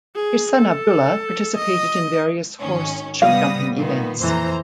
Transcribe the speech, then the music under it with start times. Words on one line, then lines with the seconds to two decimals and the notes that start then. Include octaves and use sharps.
His son Abdullah participated in various horse showjumping events.
0.15 G#4
0.58 A4
1.57 D#5
2.60 G#1 D#3 C#4
3.22 C3 G3 B3 F5 D#6 A#6
3.76 A#2 D#3 B3
4.20 F2 E3 C5 A#5